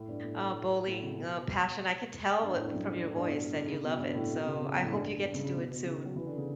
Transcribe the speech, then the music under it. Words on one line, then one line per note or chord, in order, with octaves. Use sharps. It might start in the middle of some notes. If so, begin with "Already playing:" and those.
uh, bowling, uh, passion. I can tell it from your voice that you love it, so I hope you get to do it soon,
Already playing: A2
G2
A2
A2
C#3
C#3
B2
G2
A2
G2
F#2
G2
A2
G2
B2
D3
C#3
B2
G2
A2
B2
C#3
C#3
B2
A2
G2
G2
C#3
C#3
B2
B2
C#3
F#3
E3
D3
C#3